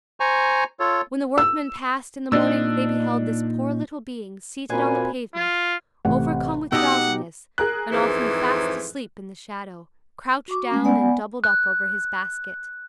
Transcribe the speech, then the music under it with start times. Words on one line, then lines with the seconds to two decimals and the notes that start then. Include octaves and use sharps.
When the workmen passed in the morning, they beheld this poor little being seated on the pavement, overcome with drowsiness, and often fast asleep in the shadow, crouched down and doubled up over his basket.
0.20 C5 G#5 A#5 C#6
0.80 F4 A4 C#5
1.38 E6
2.32 A#2 D4 D#4 D#5 E6
4.70 A#2 C4 F#4 B4 C5 G#5
5.34 F4
6.05 A1 C3 F#5
6.72 B2 D#4 G4 F#5 D#6 E6
7.58 G#4 A#4 F#6
7.92 F2 G#2 E3
10.48 F#4 C#6 D6
10.71 G#3 A3 C#4
10.84 B3 D5 F#5 G#5
11.44 F#6